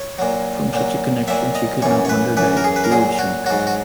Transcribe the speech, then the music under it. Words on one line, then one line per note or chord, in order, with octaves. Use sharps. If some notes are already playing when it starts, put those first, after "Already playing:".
From such a connection she could not wonder that he would shrink.
Already playing: C#5
A#2 F#3
A#2 F#3
A#2 F#3 E5
D#5
F#2 E3 C#5
C#5
B4
F#2 E3 B4
A#4
G#4
B4
A#4
A#2 F#3 G#4
F#4
G#2 F#3 F#4
F#4